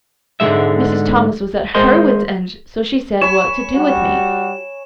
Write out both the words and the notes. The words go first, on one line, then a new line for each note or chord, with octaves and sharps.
Mrs. Thomas was at HER wits' end, so she said, what to do with me.
G#2 D3 F3 G#3 E5
G#3 A#4 C5 D#5 C6
C#5 G#5 B5 E7
G3 F#4